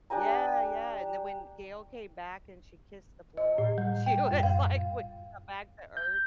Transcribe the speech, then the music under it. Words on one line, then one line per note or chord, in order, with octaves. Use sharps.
Yeah, yeah, and then when Gayle came back and she kissed the floor, she was like w when got back to earth,
D4 G4 G#5 A#5
D#5
A2
G3
G5
F#2
F5
G6